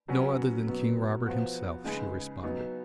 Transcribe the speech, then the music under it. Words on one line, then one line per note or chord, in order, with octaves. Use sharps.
"No other than King Robert himself," she responded.
F#3 C#4 F#4 B4
B2 F#3 B3
F3 B3 F#4
C#3 G#3 D#4 G#4 B4
F#3 B3 D#4